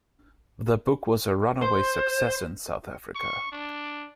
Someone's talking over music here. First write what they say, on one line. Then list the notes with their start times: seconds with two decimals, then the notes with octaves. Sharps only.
The book was a runaway success in South Africa.
1.62 C5
3.16 C#6
3.52 D4